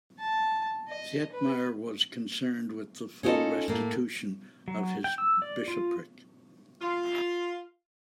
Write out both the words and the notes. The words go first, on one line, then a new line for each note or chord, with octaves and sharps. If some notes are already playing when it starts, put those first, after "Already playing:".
Thietmar was concerned with the full restitution of his bishopric.
A5
D#5
B4
C#4 D#4 F4 F#4 A4 D#5
A2 A#3
F#3
G5
E6
D5
F4
F4